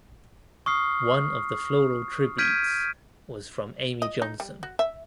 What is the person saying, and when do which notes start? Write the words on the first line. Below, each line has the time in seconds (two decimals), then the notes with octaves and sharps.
One of the floral tributes was from Amy Johnson.
0.66 C#6 D#6 F6 C7
2.38 F6 G6 G#6 B6 D7 D#7
4.02 D#5
4.22 D#4
4.40 G3
4.63 F#4
4.79 E5